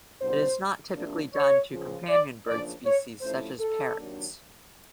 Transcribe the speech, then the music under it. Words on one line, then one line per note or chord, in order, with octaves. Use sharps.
It is not typically done to companion bird species such as parrots.
C2 B2 F#3 B3 D4 C5
C3 F3 A#3 D4
C#5
C#2 C#3 F3
D5
E2 C#3 F3 A#3 D4 D5
C#5
C3 F3 A3 C#4 E4 C5
A4
C3 D#3 F#3 A#3 D4